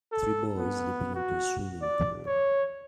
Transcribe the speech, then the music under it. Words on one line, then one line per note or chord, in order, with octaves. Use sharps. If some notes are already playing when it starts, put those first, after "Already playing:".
Three boys leaping into a swimming pool.
A4
B3
F#4
D5
C#5